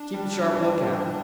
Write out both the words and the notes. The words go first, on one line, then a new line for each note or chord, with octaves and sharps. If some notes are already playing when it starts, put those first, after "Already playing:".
Keep a sharp lookout.
Already playing: D4
G3
G3
F2
G3
G3